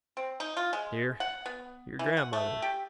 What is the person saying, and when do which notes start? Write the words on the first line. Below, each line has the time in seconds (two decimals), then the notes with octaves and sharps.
"Dear," your grandmother.
0.17 C4
0.40 D#4
0.57 F4
0.73 G#3
1.20 F#5
1.46 B3
1.99 E3
2.17 F#5
2.33 A3
2.62 G4